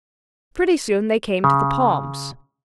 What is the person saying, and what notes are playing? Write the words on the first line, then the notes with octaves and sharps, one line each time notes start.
Pretty soon they came to the palms.
C#3